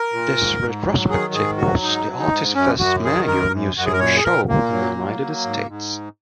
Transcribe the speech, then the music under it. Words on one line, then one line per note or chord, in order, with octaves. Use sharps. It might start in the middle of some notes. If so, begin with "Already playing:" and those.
This retrospective was the artist's first major museum show in the United States.
Already playing: A#4
A#2
G#2
G#2
F#3
D#3 G#4
G#2 G#4
F#3 F#4
G#2 D#4
F#3
D#4
G#2
F#2 C#4
F#2 F#4
D#3 G#4
F#2 A#4
F#2
F#2 F#4
G#4
A#4
A#2 C#5
G#4
A#2 A#4
A#2 A#3
F#3
F#3
F#3
G#2
G#2